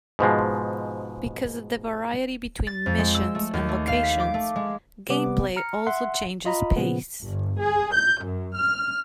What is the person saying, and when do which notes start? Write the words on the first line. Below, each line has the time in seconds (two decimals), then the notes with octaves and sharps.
Because of the variety between missions and locations, gameplay also changes pace.
0.19 G#2 B2 F3 G#3
2.67 A6
2.86 F2
2.99 G#3
3.14 E6
3.35 A3
3.54 D#2
3.69 A3
3.88 F5
4.03 B6
4.20 D6
4.34 A3
4.56 G#3
5.09 C3 G3 B3 D6
5.56 A#5 F6 C#7
5.87 E5 F#5 C6
6.45 F4 D#5 A#5 B5
6.76 A#2 C#3 F3 B3
7.20 G1
7.60 G#4
7.93 G6
8.23 F#2
8.56 F6